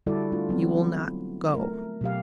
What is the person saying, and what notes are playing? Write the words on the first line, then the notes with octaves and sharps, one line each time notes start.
You will not go?'
D3 G3 E4 F#4 A4 D5
A3 D4 F4
F#3 B3 C4
A3 A#4
B2 F#3 G4 F5